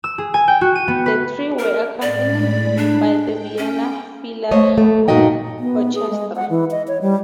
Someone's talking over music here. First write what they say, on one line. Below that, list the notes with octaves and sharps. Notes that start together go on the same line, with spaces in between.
The three were accompanied by the Vienna Philharmonic Orchestra.
E6
G#4
G#5
G5
F#4
D#7
B3
B4
A#4
A2 G#3 D5 B5
D4
G5
C#4
A3 C5 C#5 D#5
A3
G2 A#2 D#4 F#4 D#5 G5
B3
G#4
G#3
F#5
E3
D#5
C#5
G3